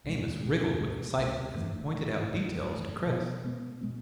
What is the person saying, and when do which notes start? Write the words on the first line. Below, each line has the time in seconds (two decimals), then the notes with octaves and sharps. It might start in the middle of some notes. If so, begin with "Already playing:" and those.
Amos wriggled with excitement as he pointed out details to Chris.
0.04 C#2 B2 G#3
0.42 C#2 B2 G#3
0.80 C#2 B2 G#3
1.18 C#2 B2 G#3
1.56 F#2 E3 A3
1.93 F#2 E3 A3
2.31 F#2 E3 A3
2.68 F#2 E3 A3
3.06 B2 G#3 B3
3.44 B2 G#3 B3
3.81 B2 G#3 B3